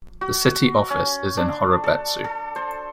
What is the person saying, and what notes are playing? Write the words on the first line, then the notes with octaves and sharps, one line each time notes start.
The city office is in Horobetsu.
F#4
C#4
D4
A4
A4
C5